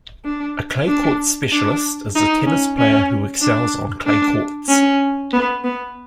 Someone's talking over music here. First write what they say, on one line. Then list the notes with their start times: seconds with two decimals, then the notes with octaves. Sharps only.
A clay-court specialist is a tennis player who excels on clay courts.
0.25 D4
0.87 D4
1.52 D4
2.15 D#4
2.46 C#4
2.78 C#4
3.41 D4
4.06 D4
4.69 C#4
5.33 B3
5.64 B3